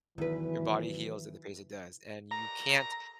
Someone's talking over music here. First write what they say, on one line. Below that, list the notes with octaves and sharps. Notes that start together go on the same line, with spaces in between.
your body heals in the pace it does. And you can't
E2 D#3 E3 F#3 B4
A#5